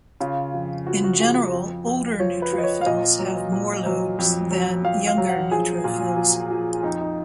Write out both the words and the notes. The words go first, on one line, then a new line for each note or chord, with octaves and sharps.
In general, older neutrophils have more lobes than younger neutrophils.
C#3 F4
F2
F3 F#4
F#4
F3 G#4
F2
F2
F3 C#5
B4
F3
D#5
C#5
F5
A#2 D#5
F#3
A#2
F#3
F2
F#3
F2 F5
F5
F#3
F#5
F3 G#4
A#2 F4
F3
F3
F2 D#4
D#4